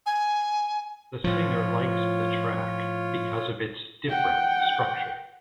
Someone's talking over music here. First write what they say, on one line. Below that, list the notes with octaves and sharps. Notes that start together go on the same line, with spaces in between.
The singer likes the track because of its "different" structure.
G#5
A2 F3 F4 C#5
F#5 G5